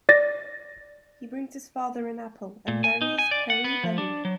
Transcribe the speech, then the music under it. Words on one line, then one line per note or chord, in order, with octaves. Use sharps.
He brings his father an apple and marries Peri-Banu.
D5 A6 A#6
A#2
G#5
D#4
G#5
D5
F#5
B3
F3
D4
F#3